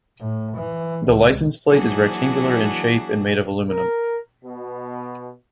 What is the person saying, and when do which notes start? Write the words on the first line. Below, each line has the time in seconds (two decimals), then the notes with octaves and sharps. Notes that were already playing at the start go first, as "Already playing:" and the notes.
The license plate is rectangular in shape and made of aluminum.
0.21 A2
0.57 E3
1.08 C#2
1.69 E3 F#3 A#3 D4 F#4 G#4
3.69 A#4
4.44 B2